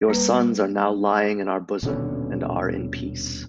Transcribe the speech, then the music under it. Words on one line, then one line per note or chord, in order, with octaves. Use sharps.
Your sons are now lying in our bosom and are in peace.
G3 A#3 B4
D#1 B2 D3 C#4